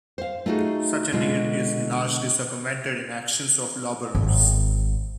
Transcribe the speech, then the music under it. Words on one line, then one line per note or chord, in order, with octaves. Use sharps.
Such a need is largely circumvented in actions of lawburrows.
C5 F5
A3 D#4 F4 F#4 G#4
B2 D3 G#3 F4 A4
G#1